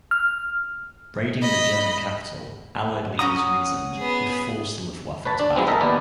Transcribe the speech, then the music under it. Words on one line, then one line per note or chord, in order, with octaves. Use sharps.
Raiding the German capital, Allied leaders reasoned, would force the Luftwaffe to battle.
F6
D#5 B5
C#4 F#4 A#5 D#6
B3 G#4
B4 C#5 A5
D4
F3 F#3 G#3 B3 C4
A4 A#4 D#5 E5 A5
D#2 B3 D5